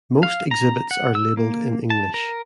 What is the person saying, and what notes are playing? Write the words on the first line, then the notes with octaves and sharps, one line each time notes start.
Most exhibits are labelled in English.
F5
A#5
F#5
E6
A#3
A5
A#4